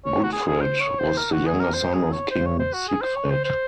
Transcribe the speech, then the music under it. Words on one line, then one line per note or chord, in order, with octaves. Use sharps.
Gudfred was the younger son of King Sigfred.
C#5
F#4
G#4
G#4
C5
C#5
C5
A#4
F#4
G#4
A#4
C5
G#4
C#5
C5
C#5
C5
F#4
G#4
C5
C#5
C5
C5